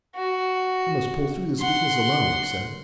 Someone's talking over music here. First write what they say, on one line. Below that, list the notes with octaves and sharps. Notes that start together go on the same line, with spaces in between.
I must pull through this business alone,' he said.
F#4
F#5 C6